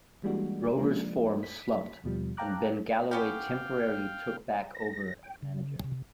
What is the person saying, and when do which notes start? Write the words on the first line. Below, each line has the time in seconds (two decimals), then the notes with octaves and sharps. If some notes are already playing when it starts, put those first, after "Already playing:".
Rovers' form slumped, and Ben Galloway temporarily took back over as manager.
0.23 E3 G3 G#3 A#3 D4 F#4
0.77 F3 G#3 A#3 D4
1.43 B6
2.04 D#2 B2 F3 G3
2.37 F5 G5 A5 A#5 D6 F#6
3.11 B3 C#4 G4 F5 G5
4.75 A#6
5.23 G5
5.43 C#3
5.84 C3